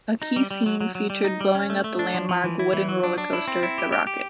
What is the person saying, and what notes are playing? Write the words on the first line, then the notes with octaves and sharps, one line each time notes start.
A key scene featured blowing up the landmark wooden roller coaster"The Rocket".
D#4
G3
G3
F#3
F#3
F#3
G3
D#4
G3
C#4
A3
A3
D4
F3
F3
E3
E4
E3
F#3
D4
D4
E4
C4
E4
G4
G4
G4